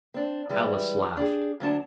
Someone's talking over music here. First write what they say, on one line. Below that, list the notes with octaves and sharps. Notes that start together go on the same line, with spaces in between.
Alice laughed.
C4 D4
E3 G3 G#3 E4
D4 G4 G#4
D2 F#3 D4 A5